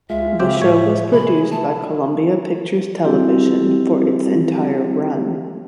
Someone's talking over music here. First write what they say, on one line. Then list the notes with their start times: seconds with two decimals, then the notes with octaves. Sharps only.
The show was produced by Columbia Pictures Television for its entire run.
0.10 C#2 G#3 F4 E5
0.39 C#3 C4 G4 G5
0.62 A2 C#5
1.12 C3 G#4 B5
1.51 A3 A5
3.04 G3 C4 E4 F#4 G4